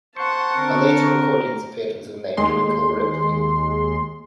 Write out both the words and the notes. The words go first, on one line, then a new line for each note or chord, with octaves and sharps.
Her later recordings appeared under the name Twinkle Ripley.
C5 F#5 A5 C#6
D3 C4 A#4
D#2 G#3 C6